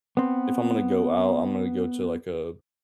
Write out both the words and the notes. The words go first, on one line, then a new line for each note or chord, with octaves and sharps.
if I'm gonna go out, I'm gonna go to, like, a
B3 C4